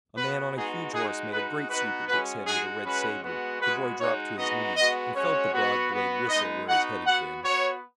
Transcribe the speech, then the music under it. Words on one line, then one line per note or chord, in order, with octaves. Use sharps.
A man on a huge horse made a great sweep at Dick's head with a red saber. The boy dropped to his knees, and felt the broad blade whistle where his head had been.
B3 F#4 B4
G#3 B3 D#4 F#4 G#4
G#3 D#4 F#4 G#4
G#3 D#4 F#4 B4
B3 D#4 F#4 B4
G#3 C#4 F#4 B4
G#3 D#4 F#4 G#4
G#3 C#4 F#4 B4
G#3 B3 F#4
G#3 B3 F#4 B4
G#3 D#4 F#4 C#5
G#3 B3 D#4 F#4 D#5
G#3 B3 F#4 D#5
G#3 C#4 F#4 C#5
B3 F#4
B3 F#4
G#3 B3 D#4 D#5
B3 D#4 F#4 F#5
B3 F#4 F#5
B3 F#4 C#5